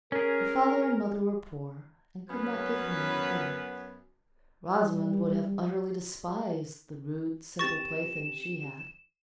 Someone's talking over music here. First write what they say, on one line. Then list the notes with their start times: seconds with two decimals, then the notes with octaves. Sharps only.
Her father and mother were poor, and could not give her many things. Rosamond would have utterly despised the rude, simple playthings she had.
0.12 C#4 G#4 A#4
2.29 F#2 F#3 B3 C#4 B4
4.74 G3
7.59 C4 G4 C#6 A6 A#6 E7